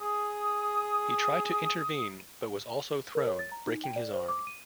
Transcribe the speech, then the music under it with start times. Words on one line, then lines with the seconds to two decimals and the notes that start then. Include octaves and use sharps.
He tried to intervene, but was also thrown, breaking his arm.
0.01 G#4 D#6
3.15 A#4
3.27 C#5
3.39 A6
3.52 A#5
3.66 D#4
3.84 G5
3.96 D5
4.13 C5
4.28 D6
4.47 D#7